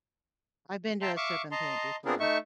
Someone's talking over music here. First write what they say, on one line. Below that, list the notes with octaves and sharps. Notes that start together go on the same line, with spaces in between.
I've been to a sip and paint before.
E5 G5 A5 A#5 C6
E5 F5 C#6 D6
D#5 A5 A#5 C6
B3 C4 D4 F4 G#4 A#4
A3 D#4 E5 C#6